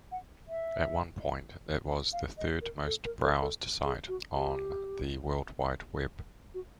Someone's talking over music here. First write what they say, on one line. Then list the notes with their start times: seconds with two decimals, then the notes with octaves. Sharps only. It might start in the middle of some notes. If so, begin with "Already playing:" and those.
At one point it was the third-most-browsed site on the World Wide Web.
0.12 F#5
0.48 E5
2.13 F5
2.38 D#5
2.61 A#4
2.86 A4
3.05 A#4
3.23 A4
3.41 A4
3.85 G#4
4.08 F#4
4.34 G4
6.54 F#4